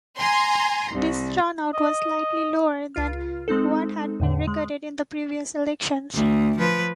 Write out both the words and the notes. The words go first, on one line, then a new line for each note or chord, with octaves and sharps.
This turnout was slightly lower than what had been recorded in the previous elections.
G#5 A#5 C6
C2
D#5
C#2 F4 F6
G#3 C4 D#4 A4
E2 A2 D3
G#3
D2
F3 B4